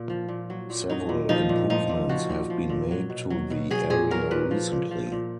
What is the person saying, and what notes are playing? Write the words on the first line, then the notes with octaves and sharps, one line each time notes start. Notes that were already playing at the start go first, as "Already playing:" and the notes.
Several improvements have been made to the area recently.
Already playing: A#2
F3
A#2
F#3
A#2
F#3 D#4
A#2
F3 D#4
A#2
F3 D#4
A#2
F3 F#4
A#2
F3
A#2
F#3
B2
F#3
B2
F#3 G#4
A#2 G#4
F#3 A#4
A#2 B4
F3
A#2
F3
A#2